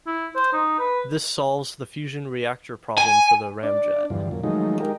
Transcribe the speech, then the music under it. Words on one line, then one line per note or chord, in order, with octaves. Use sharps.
This solves the fusion reactor problem for the ramjet.
E4
C5
D#4
B4
G#5
D4 D5
E2 G2 D3 F3
F#2 A#2
D#3 F3 F#3 G#3 A3 D#4
G#3 D#4 G4 A#4